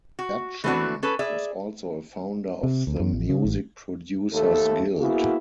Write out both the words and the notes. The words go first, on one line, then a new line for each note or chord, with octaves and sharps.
Dudgeon was also a founder of the Music Producers Guild.
F#4
E3 A3 B3 C4 D4 F#4
C#4 A4 B4
G#4 D5 E5
C3
D2
F#2
A1
C#3
A1
D#2 A3 A4
A#3 B3 E4 F#4 G#4